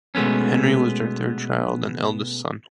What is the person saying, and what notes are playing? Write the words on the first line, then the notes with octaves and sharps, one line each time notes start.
Henry was their third child and eldest son.
B2 G#3 A3 B3 C#4